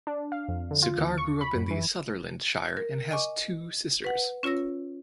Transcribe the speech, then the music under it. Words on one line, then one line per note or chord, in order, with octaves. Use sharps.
Sukkar grew up in the Sutherland Shire and has two sisters.
D4
F5
F2
D3
F4
D#2
C#6
B5
F#2
E3
A#4
D#5 G#5 C#6 D6
B4 F#5
C#4 F4 C#5 E6 A#6